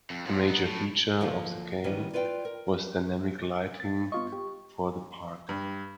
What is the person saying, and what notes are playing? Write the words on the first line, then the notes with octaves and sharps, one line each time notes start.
A major feature for the game was dynamic lighting for the park.
F2
F#2 F3
B3 D#4
A2
D2 F3 A#3 A4 F5
D#3 E3 G3 B3 C#4
F4 B4 D5 F#5 G5
A#4
A6
B3 F4 D#5 C#6
G4
G2